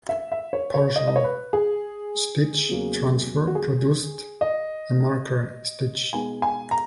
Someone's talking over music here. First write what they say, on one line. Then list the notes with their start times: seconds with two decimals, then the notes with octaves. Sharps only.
Partial stitch transfer produced a marker stitch.
0.09 E5
0.32 E5
0.53 C#5
0.74 C#5
0.96 D#5
1.08 D#5
1.16 C#5
1.24 B4
1.53 G#4
2.69 E2 C#3 F#3 A#3
3.47 F#4
3.55 G#4
4.41 D#5
6.13 B2 G#3 B3 D#4 G#5
6.42 G#5
6.71 A#5